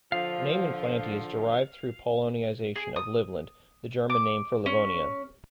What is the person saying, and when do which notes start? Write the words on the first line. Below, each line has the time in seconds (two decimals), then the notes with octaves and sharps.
The name "Inflanty" is derived through Polonization of "Livland", the German name for Livonia.
0.12 D3 F3 F5
2.76 G#4
2.96 D#6
4.10 D6
4.66 C#4